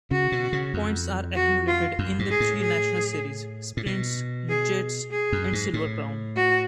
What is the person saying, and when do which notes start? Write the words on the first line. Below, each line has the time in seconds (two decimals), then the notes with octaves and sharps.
Points are accumulated in the three national series: sprints, midgets, and silver crown.
0.11 C#3 F#4
0.32 B2
0.53 C#3
0.74 F2
1.36 F#4
1.67 F4
1.99 F#2
2.19 G#2
2.30 G#4
2.40 A2
2.61 G#4
3.77 A2
3.86 B2
4.49 G#4
5.11 G#4
5.32 F#2
5.53 G#2
5.74 A2
6.36 F#4